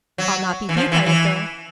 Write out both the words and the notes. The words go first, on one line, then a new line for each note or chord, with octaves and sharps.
I'll not be beat by it, though.
F#3
E3
F3
E3
E3